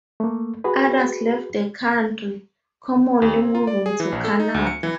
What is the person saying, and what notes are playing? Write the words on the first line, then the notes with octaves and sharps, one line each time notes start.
Others left the country, commonly moving to Canada.
A3 A#3
F#4 G#4 B4
D#2
C4
F4
D5
G#4
E3
A#1
A4
D#4
D2
C#7
E3